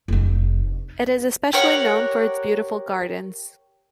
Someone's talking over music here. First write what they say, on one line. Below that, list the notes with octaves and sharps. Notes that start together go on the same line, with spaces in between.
It is especially known for its beautiful gardens.
F1 D#4
G4 A#4 C#5 F#5